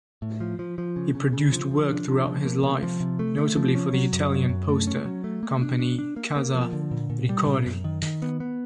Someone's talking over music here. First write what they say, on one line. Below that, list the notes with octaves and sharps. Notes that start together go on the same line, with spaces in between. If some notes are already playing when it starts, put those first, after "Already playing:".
He produced work throughout his life, notably for the Italian poster company Casa Ricordi.
A2
F3
F3
F3
C#3
C#3
C#3
F3
F3
D4
F3
F3
A#3
C3
F3
C3
A3
A3
F3
C#4
F#3
F#2
F#3
F#2
A3
C#4
F#3
A3
A#3
D4
D4
D4
A#3
A#3
F3
D3
A#2
A#2
G3
A#2
F#2
D#3
D#3
B3
B3